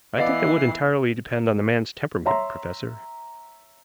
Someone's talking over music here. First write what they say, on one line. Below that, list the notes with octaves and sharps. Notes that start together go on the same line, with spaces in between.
"I think that would entirely depend on the man's temperament, professor."
E3 B3 D5 D#5 F5 C7
C#5 E5 A#5 C6